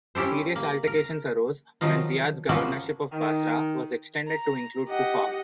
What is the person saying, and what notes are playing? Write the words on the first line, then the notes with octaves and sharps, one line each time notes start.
Serious altercations arose when Ziyad's governorship of Basra was extended to include Kufa.
C#4 E4 G4 A4 C5
A#3
A#4
D#3 F3 F#3 D#4 F4
F3 A#3 B3 C#4 F4 F#4
D#3
A#5
G4 D#5 F#5